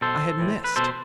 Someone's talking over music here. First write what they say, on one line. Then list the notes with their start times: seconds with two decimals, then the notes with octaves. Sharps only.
I had missed!
0.01 B2 A4 C5
0.39 A2 E3
0.64 B4
0.76 B2 A4 C5